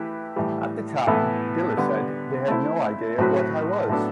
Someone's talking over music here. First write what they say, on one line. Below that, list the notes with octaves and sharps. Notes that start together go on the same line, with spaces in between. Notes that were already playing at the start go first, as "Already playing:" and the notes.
At the time, Diller said, They had no idea what I was.
Already playing: E3 A3 E4 G4 B4
A2 E3 G3
A2 E3 B3 E4 A4
D3 G3 B3
A3 C4 E4
A2 F#3 C4 F#4 B4
A2 F#3 B3 D4 A4